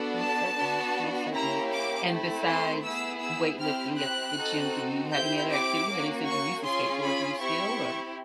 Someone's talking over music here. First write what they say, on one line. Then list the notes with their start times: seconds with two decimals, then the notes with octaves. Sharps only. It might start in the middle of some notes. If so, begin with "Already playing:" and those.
Most certainly. Most certainly. And besides weightlifting at the gym, do you have any other activities? I know you said you used to skateboard. Do you still, or
Already playing: B3 D4 F#4 A4
0.18 A5
0.56 B3 D4 F#4
1.32 A#3 C#4 E4 G4 A#5
1.71 D6
2.08 A3 C4 E4
2.47 C6
2.84 B3 E4 G#4 E6
3.22 E6
3.59 C4 E4 G4 F6
3.98 F#6
4.36 C4 D#4 F#4 A4
5.12 C4 E4 G4 G6
5.50 D6
5.88 A#3 C#4 F#4
6.26 C#6
6.63 C#4 F4 G#4 C6
7.02 B5
7.40 C4 E4 G4 C#6